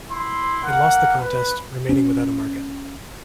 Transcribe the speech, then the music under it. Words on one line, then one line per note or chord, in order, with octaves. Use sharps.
It lost the contest, remaining without a market.
E4 C6
A#3 F#5
B4
C#4